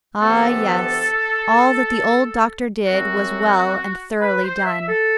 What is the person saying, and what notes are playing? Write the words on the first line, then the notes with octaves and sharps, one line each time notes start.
Ah, yes, all that the old doctor did was well and thoroughly done.
D2 C3 E3 B3 A4
F#2 F#3 C4 F#4
B4
C5
E5
A4